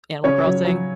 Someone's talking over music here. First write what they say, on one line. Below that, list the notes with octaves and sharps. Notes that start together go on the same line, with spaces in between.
Animal Crossing?
C#3 C#5
F#3
F#3